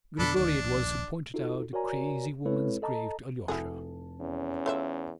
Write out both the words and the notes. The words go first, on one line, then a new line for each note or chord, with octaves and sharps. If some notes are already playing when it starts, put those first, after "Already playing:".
Grigory it was who pointed out the "crazy woman's" grave to Alyosha.
F2 B2 D3 D4 A4 B5
D1 D2 D#3 D4
D#1 A#1
D#4 F4 F#4 A4
F#4 A#4 C#5 D5 G#5 A#5
G#3 C4 E4 A4 B4 C#5
A4 D#5 A5 A#5
F1 E4 F#4 G#4 A4
E2 C#4
A3 F4 C#5 E5